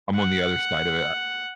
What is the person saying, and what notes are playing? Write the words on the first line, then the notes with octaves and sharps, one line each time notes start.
I'm on the other side of it a
F#5